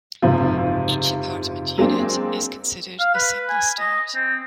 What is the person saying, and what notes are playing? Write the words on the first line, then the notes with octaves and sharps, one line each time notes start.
Each apartment unit is considered a single start.
F#1 G#2 C3 F3
F#3 G#3 A#3 C4 D4
F5
B4
G#5
D#5
C4